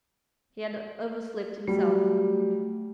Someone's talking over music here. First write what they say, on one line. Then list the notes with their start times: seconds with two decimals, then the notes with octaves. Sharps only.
He had overslept himself!
1.67 F#3 G3 A3